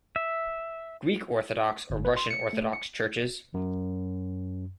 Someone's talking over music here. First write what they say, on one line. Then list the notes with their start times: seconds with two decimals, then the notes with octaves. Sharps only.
Greek Orthodox or Russian Orthodox churches.
0.16 E5
1.90 G1
2.05 B4
2.17 C6
2.31 C#7
2.53 A3
2.73 C#7
3.54 F#2